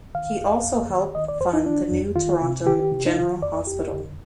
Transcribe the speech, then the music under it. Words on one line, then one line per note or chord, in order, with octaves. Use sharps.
He also helped fund the new Toronto General Hospital.
D#3 F5
F2
F2
D#3
D#3 D#5
D5
F2 C5
D#4
D#3 D4
F2
D#3 F4
C3
D#3 G4
C3
D#4
D#3 F4
F2 D5
F2 G4
D3